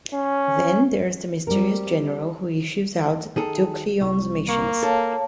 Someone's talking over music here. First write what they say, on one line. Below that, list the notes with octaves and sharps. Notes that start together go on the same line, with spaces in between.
Then there's the mysterious General, who issues out Duklyon's missions.
C#4
G3 C4 A#4
D#3 G#4 A4
C2 C#6
A#3 C#6
A4 C#5 F5 A5